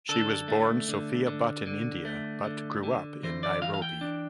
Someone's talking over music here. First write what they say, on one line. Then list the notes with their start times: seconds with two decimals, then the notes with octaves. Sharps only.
She was born Sophia Butt in India but grew up in Nairobi.
0.09 D3 A4
0.48 A3
0.88 D3
1.27 D3
1.66 D3
2.05 A3
2.44 D3
2.83 D3
3.23 E3 C5
3.43 D5
3.62 E3 F5
3.74 F5
3.82 G5
4.01 D4